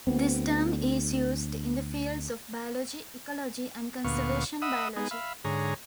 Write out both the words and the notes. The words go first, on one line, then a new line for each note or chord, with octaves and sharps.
This term is used in the fields of biology, ecology, and conservation biology.
D2 B3 C4
D2 A#2 B3 F5 C#6
D#5 E5 F#5 B5 D#6 E6
G#3 B3 D#4 G#4
E5 F5 B5
G#2 D3 G#4 C#5 A#5